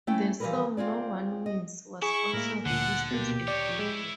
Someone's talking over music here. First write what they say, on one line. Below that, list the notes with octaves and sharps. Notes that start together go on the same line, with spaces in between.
The song 'No-one Wins' was also released as a video.
A3 C#4 E4 G5
E3 F3 G3 G#3 A#4 B4
C4 F4 G#4 D5
D#5
E4 G#4 C#6
A2 G#3 A#3 A#4
D2 A#2 D3 F#5
B2 A#3 G4
D#3 C#5 D5
G#3 E4 C#5